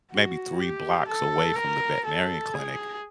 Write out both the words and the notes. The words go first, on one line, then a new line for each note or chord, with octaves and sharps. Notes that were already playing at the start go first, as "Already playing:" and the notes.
maybe three blocks away from the veterinarian clinic,
F#4
G4
A4
A#4
A4
G#4